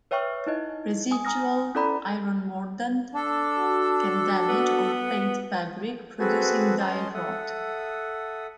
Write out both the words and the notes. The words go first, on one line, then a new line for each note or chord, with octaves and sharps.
Residual iron mordant can damage or fade fabric, producing "dye rot".
B4 C#5 E5 G5 C#6 F6
D#4 E4 D#5
G#5 D#6
G#5 A#5 D#6 F6 A#6
C#4 E4 A4 D5 A#5 B5
D4 A4
F#4
B3
C4 F#4 G#4 A4 B4
C#4 D#5 A5 C6
A4 E5 F#5 D#6